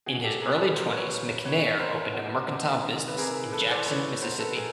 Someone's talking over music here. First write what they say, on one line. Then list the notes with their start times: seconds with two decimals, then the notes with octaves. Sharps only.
In his early twenties McNair opened a mercantile business in Jackson, Mississippi.
0.06 B2 F#4 G#4
0.24 G4 A4
0.41 B2 G#4 A#4
0.58 A4 B4
0.75 A#2 A#4 C5
0.93 B4 C#5
1.11 A#2
1.45 B2 B4 C#5
1.79 B2 A#4 C5
2.14 B2
2.49 B2
2.83 C3 D#3
3.08 B4
3.18 C3 D#3 G#4 A#4
3.52 A2 E3 A4 B4
3.70 C5 D5
3.87 A2 E3 B4 C#5
4.22 B2 A#4 C5
4.39 A4 B4
4.56 G#4 A#4